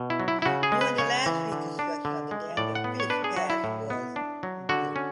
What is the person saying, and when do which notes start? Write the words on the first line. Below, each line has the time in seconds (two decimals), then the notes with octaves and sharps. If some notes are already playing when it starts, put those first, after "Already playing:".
During the last reconstruction of the dam the fish pass was rebuilt.
Already playing: B2
0.10 E4
0.20 F#3
0.28 E4
0.42 E4
0.45 C#3 F#4
0.63 G#4
0.72 G#3
0.81 B4
0.98 C#3 C#5
1.26 E3
1.52 D3
1.79 D4
2.05 D3
2.31 G#3
2.57 A2 D5
2.75 F#5
2.84 B3
3.00 C#5
3.10 D4 B4
3.24 G#4
3.36 F#3 F#4
3.50 E4
3.64 A2
3.90 B3
4.16 D4
4.43 F#3
4.69 D3 F#4
4.96 C#4